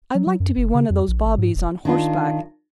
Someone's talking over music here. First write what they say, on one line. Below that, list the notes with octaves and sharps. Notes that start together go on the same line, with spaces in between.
I'd like to be one of those bobbies on horseback.
F#3
F#3
F#2
F#1
C#3
F2
A#1
G#1
G#2
E1
D#3 D4 F4